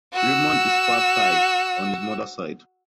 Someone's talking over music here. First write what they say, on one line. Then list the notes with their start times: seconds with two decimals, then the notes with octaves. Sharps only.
Raymond is part-Thai on his mother's side.
0.13 F#4 E6